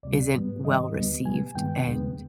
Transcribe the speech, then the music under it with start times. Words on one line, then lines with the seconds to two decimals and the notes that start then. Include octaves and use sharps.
isn't well-received, and
0.03 D2 C3 G3 D5
0.34 G#2 G3 B3
0.65 G#2 D#3 G3 D#5
0.95 D#2 D3 G3 B3
1.25 B2 G3 B3 G#5
1.55 G2 D#3 G#3 B3 G5
1.86 D#2 D3 G#3 B3